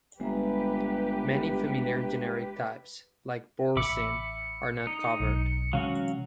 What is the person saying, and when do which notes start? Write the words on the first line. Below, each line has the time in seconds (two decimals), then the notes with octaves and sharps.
Many familiar generic types, like Boursin, are not covered.
0.20 G1 G#3 G4 B4 E5 A#5
3.77 A1 E5 B5 D6 C#7
4.87 D#4
5.20 B1
5.73 C3 E3 F#3 G#3 C#4 F#4 F5